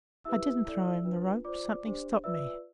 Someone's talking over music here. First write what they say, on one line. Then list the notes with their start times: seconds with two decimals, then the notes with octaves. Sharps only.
I didn't throw him the rope; something stopped me.
0.25 E4 G4 B4 E5 E6
0.65 E4 A4 D5
1.05 D4 F4 B4
1.44 F4 C5 D5 D6
1.84 D4 G4 C5
2.24 F4 B4 D5 E5 E6